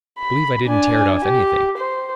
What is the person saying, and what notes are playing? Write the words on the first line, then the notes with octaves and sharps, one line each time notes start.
I believe I didn't tear it off anything.
B5
D4 G#5
G4
C5